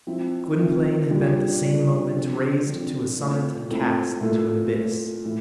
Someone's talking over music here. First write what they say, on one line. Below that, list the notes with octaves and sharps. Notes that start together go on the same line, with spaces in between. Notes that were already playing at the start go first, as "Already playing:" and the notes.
Gwynplaine had been at the same moment raised to a summit and cast into an abyss.
F3 C4 E4
F3 C4 E4
A#2 G3 D4
A#2 G3 D4
D3 F3 C4
D3 F3 C4
A#2 A3 C4 E4
A#2 A3 C4 E4
A#2 A3 E4
A#2 A3 E4
A2 E3